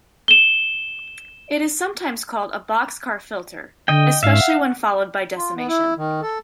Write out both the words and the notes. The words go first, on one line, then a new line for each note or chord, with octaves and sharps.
It is sometimes called a boxcar filter, especially when followed by decimation.
E7 G7
D3 D#5 G5
G#2 E5 F5
F#5
F4
B3
E4
D#3
A4